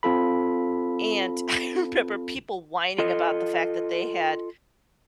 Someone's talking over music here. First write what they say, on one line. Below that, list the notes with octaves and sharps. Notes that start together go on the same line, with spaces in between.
And I remember people whining about the fact that they had,
C4 F4 A4 B5
F4 A4 D#5